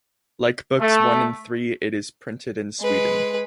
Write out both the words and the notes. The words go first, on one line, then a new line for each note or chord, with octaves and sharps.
Like books One and Three it is printed in Sweden.
A3
G#3 B4